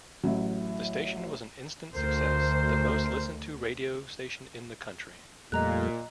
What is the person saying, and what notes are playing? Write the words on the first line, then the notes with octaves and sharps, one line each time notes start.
The station was an instant success, the most listened-to radio station in the country.
A1 A2 F#3
D2 A#4 C5
F2 A#2 G3 A3 D#5 A#5 F#6